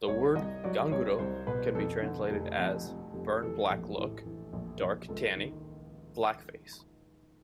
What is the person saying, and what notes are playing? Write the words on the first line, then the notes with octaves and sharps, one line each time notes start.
The word "ganguro" can be translated as "burn-black look", "dark tanning", "black-face".
C2 C#5
C2 D#5
F#3 D5
C2 C#5
C2 C5
B2 B4
F2 A4
D3
F1
F2
F2
F1
E3 A4
A#1
A2
E3
A#1
A#1
C#2 A4
D#3